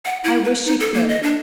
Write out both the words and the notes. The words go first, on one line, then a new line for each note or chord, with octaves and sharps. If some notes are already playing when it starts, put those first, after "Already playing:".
I wish she could.
F#5
E4
B4
D#4
A4
A#3
D#5
D4